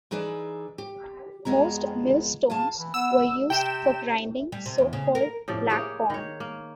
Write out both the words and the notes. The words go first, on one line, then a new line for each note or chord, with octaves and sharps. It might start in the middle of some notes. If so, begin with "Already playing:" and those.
Most millstones were used for grinding so called "black corn".
E3 D#4 G#4 B4 D5 E5
G4
F2 F3 G#3 B3 A#5
F4 G#4 F5 A5
E3
B3 E6
C3 G5 E7
G3
C3
E2
C#3
A#4
A2 C3 F3 D5
A#3 G4 G#4 C#5
D#3 C#5
A#3